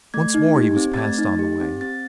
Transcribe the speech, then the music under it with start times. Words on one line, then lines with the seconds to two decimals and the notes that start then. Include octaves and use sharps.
Once more he was passed on the way.
0.14 A3 G#6
0.34 D#4
0.56 G4
0.76 C4
0.94 A6
0.97 A3 G#6
1.18 D#4 A6
1.39 G4
1.61 C4
1.81 C4 A6